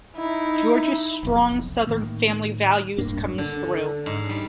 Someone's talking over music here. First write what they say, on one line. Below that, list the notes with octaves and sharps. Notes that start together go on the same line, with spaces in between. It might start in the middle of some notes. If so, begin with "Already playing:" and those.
George's strong Southern family values come through.
D#4 E4
E1 B1 F2
A2 D#3 A#3
D#1 G2 A#3 D4
D3
G#2
G3